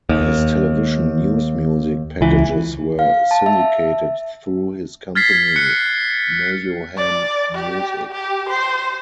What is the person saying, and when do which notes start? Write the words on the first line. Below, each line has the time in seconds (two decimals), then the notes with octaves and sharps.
His television news music packages were syndicated through his company, Mayoham Music.
0.09 D#2
2.21 C#2 E3
2.99 F5
3.31 A5
3.46 E5
5.15 F6 G#6 A6 B6 C7
5.56 F#6 C#7
6.97 D5
7.55 G4
8.12 G4
8.49 C5